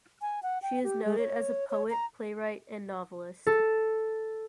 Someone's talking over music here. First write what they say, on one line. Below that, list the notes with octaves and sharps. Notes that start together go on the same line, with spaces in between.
She is noted as a poet, playwright, and novelist.
G#5
F#5
G5
G4
G#3
C#5
C#5
A#5
A4